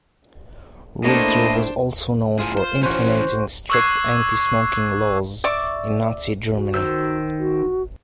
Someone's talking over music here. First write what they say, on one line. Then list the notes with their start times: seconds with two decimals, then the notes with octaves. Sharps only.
Reiter was also known for implementing strict anti-smoking laws in Nazi Germany.
1.04 A2 A#3 B3 D4 C5 D#5
2.39 A2 F4 G#4
2.57 C5
2.83 E3 C#4 F#4 C5
3.70 C#6 D6 E6 F#6 G#6 C7
5.44 D5 E5 C#6 D6
6.54 F#4
6.74 D#3 C5 E6
7.39 F#4